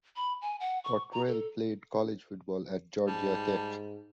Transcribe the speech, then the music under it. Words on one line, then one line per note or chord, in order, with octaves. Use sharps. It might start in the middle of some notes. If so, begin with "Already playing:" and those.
Cottrell played college football at Georgia Tech.
B5
G#5
F#5
C#6
A#5
A4
G#2 G3 A5